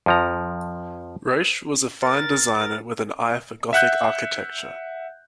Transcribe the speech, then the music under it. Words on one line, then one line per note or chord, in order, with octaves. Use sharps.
Roche was a fine designer with an eye for Gothic architecture.
F2 F3 A#5
A#4 A6
A#4
E5 F#5 F#6 G6